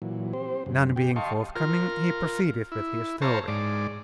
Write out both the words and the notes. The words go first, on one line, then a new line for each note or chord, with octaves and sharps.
None being forthcoming, he proceeded with his story.
A#2 E3 F#3
C4 G4 C5
F#2 C#3
G4 G5
D#5 F5 G5 A5 C6 C#6
F4 A#4
E4
C5 C#5 F5 A5 A#5
G#2 D5